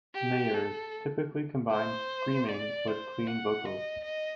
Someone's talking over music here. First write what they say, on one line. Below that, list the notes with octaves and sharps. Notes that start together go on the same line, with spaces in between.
Mayers typically combined screaming with clean vocals.
G4
A4
C5
D5
C5
F#5
D#5
D#5